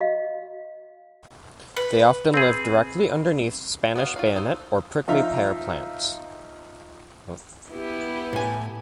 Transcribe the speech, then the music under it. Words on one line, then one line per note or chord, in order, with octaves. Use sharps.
They often live directly underneath Spanish bayonet or prickly pear plants.
F#4 D#5 F5
B4
C4 G#4
B3 F#4 D#5 F5
F4 F#4 F5
D#4 A4 C5
F3 D#4 F4 E5 A#5
B3 E4 G4 B4
A2 G#5